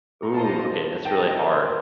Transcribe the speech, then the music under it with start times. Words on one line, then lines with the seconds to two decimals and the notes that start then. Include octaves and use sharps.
Ooh, okay, that's really hard.
0.23 A#5
0.34 D4 F4 C5 D#5 A5
1.05 D#4 A4 D#5 G5 A5
1.22 G5
1.39 D5
1.47 A#4
1.51 C5
1.63 A#4